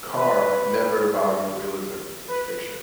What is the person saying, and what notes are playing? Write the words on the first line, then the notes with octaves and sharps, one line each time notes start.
Carr never valued realism in fiction.
B4
B4